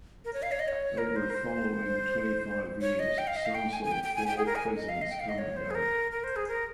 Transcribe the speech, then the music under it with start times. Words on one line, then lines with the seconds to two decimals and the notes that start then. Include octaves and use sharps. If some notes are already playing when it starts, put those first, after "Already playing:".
Over the following twenty-five years, Sum saw four Presidents come and go.
0.25 A#4
0.33 C#5
0.43 F5
0.52 C#5
0.59 D#5
0.68 C#5
0.98 A#4
1.16 C5
1.30 A#4
1.35 C5
2.81 C#5
2.99 D#5
3.18 G5
3.27 F5
3.36 D#5
3.46 F5
3.55 G5
3.73 G#5
3.85 G#5
3.91 G5
4.04 G5
4.16 G#5
4.27 G5
4.37 G#4
4.46 A#4
4.56 G#5
4.77 D#5
4.89 F5
5.02 D#5
5.10 G5
5.20 F5
5.29 D#5
5.38 C#5
5.57 C5
5.71 G#4
5.75 A#4
6.12 A#4
6.24 C5
6.36 G#4
6.48 A#4